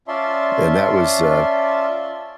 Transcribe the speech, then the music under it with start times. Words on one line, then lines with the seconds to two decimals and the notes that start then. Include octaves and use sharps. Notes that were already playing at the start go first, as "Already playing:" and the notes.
and that was, uh
0.08 C#4 F4 D5 E5 A5 C6